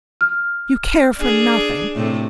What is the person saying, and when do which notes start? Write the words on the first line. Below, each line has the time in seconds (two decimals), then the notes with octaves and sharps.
You care for nothing.
0.21 F6
1.18 D4 G#4
1.95 A2 C3